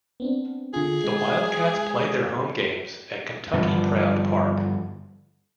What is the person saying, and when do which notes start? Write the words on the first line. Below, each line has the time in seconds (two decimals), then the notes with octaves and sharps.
The Wildcats play their home games at Kentucky Proud Park.
0.20 B3 C4 D4
0.74 D3 F4 G#4
1.04 G#3
3.53 G2 D3 E3 F3